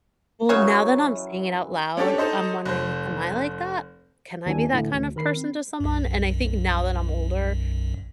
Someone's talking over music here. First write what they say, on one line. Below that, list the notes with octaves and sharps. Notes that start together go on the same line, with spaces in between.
Well, now that I'm saying it out loud, I'm wondering, am I like that? Can I be that kind of person to someone? And I think now that I'm older
F#2 C#3 E3 F#3 F#4 C#5
C#4 D4 G4 A4 C#5
D#4 A4 C5 D#5
F1 C5
D#2 E3 D4 G#5
A2 D3 E3
D2
D#3 A#4 B5 C7
C4
B1 F#2